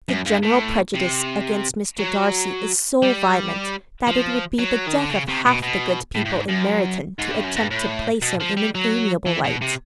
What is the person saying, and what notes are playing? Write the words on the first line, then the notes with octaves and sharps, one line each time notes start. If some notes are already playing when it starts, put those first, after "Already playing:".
The general prejudice against Mr. Darcy is so violent, that it would be the death of half the good people in Meryton to attempt to place him in an amiable light.
F#2
G2
A2
C3
F#3
G3
F3
F#3
D#3
D3
C#3
C3
B2
B2
A2
A2
G#2
F#2
G#2
G2
F#2
G2
A2
B2
F3
G3
F#3
E3
B2
C3